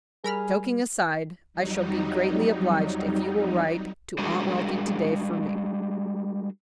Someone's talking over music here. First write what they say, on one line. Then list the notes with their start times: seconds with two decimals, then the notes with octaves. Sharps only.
"Joking aside, I shall be greatly obliged if you will write to Aunt Wealthy to-day for me."
0.24 G3 G#4 A#4 B5 F6
1.53 F2 F#3 G3 D#4
4.18 G3 G#3 D4 F#4 G#4 A#4